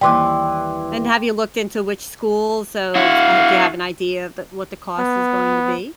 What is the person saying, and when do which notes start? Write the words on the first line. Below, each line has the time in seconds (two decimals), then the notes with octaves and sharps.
And have you looked into which schools? So, s uh, do you have an idea of th what the cost is going to be?
0.01 D#2 E3 G3 G5 C6 D6
2.96 E4 F#4 F5
4.99 B3